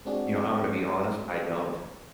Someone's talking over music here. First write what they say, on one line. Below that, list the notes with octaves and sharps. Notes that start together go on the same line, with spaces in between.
You know, I'm gonna be honest, I don't
G#3 C4 D4 F#4 G#4